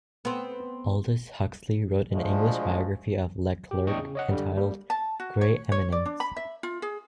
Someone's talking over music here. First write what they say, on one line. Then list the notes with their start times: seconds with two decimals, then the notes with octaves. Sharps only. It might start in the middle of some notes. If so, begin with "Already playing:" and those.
Aldous Huxley wrote an English biography of Leclerc entitled, "Grey Eminence".
0.25 B3 C4
2.12 D2 F3 G#3 A3 D4
3.71 G4
3.87 E2 A2 D4 D#5 G5 C#6
3.99 C#3
4.15 C#5 D#5 F#5
4.31 D3 G3
4.57 G3 A#3
4.90 A5
5.20 F#4
5.41 C#5
5.72 C#5
5.92 D5
6.06 D4
6.20 B5
6.36 E5
6.63 F4
6.82 G#4